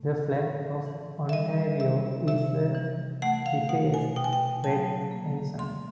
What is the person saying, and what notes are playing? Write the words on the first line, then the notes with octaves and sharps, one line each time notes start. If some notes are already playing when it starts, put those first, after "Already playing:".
The flag of Ontario is a defaced Red Ensign.
Already playing: A2 A3
A2
E3
E5
G3 D#5
C3 E5
C3 E5
E3
A3 F#5
F5
B2 F#5
G#5
B2 G5
G#5
G5
F#3 A5
A#3
D3 C6